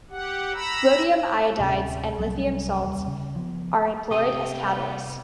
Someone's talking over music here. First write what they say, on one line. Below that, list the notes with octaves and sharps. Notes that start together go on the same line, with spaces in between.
Rhodium iodides and lithium salts are employed as catalysts.
G4 F#5
A#5 B5 E6
D1 C3 C#4
C2 C3 F#3 G3
D#2 G3
C#3
F3 B3
C3 G4 D#5 D#6
G3 A#3 B3